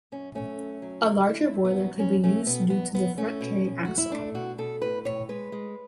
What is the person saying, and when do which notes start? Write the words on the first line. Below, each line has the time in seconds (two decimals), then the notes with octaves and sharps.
A larger boiler could be used due to the front carrying axle.
0.12 F#2 C#4
0.35 A3 C#4
0.59 F#2
0.82 F#3
1.06 D3
1.29 A3 E4
1.53 F#2
1.65 B3
1.77 F#3
1.99 E2 C#4
2.24 A3 C#4
2.46 B2 B3
2.70 E2 B3
2.94 E2 B3
3.18 A3 C#4
3.41 B2
3.65 B2
3.85 A3 F#4
3.98 E4
4.11 A3 D4
4.35 B2 F#4
4.58 B2 A4
4.82 A2 B4
5.05 A2 C#5
5.29 G#3 B4
5.52 G#3